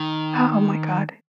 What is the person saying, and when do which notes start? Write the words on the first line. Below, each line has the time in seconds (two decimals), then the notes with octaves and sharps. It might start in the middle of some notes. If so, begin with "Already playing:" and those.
Oh my god.
Already playing: D#3